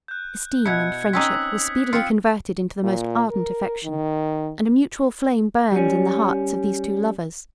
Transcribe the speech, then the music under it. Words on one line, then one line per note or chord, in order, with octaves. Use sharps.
Esteem and friendship were speedily converted into the most ardent affection, and a mutual flame burned in the hearts of these two lovers.
F#6 G6
B2 E4 F#6 G#6 C#7
C4 C#4 D#4 D#6 E6 B6
C4 F4 C#7
A#2
A#4
D#3
G3 C#4